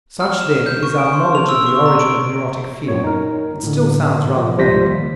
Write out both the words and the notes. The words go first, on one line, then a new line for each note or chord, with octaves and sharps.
Such then is our knowledge of the origin of neurotic fear; it still sounds rather vague.
F6
E7
G6
C#6
D7
C6
F7
E6
C#6
A#5
D7
F#2 A#2 C#5
D#4 A#4
A2 D3
F3
C#2 F3 G3 C5 A#6 B6
D#2